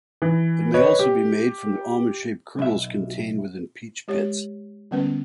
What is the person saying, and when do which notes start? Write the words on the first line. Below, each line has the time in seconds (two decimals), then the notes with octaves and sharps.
It may also be made from the almond-shaped kernels contained within peach pits.
0.22 E3
0.74 B4 C#5 D#5
0.99 G4
2.59 B1 E5
4.08 G#3 G4 C#5
4.91 D3 G3 B3 C#4 B4